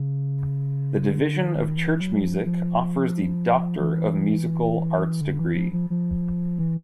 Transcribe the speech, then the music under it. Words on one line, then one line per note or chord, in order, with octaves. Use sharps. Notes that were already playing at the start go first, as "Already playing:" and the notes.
The Division of Church Music offers the Doctor of Musical Arts degree.
Already playing: C#3
D3
D#3
E3
F#3
F3
F3
F3
E3
D3
E3
F3
F3
F3
E3